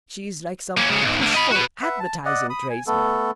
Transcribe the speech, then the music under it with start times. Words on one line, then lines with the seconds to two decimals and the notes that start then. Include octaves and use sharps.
She is like some pushful advertising tradesman.
0.77 A#3 C#4
0.89 G#2 C#3
1.03 B1 G#2
1.22 D2 D3
1.35 D#5 B5
1.52 F#4 B4
1.82 B4 E5 F#5
2.00 A5
2.25 D5 D#5 F#5
2.50 B5 D#6
2.70 G#5
2.87 A3 B3 A4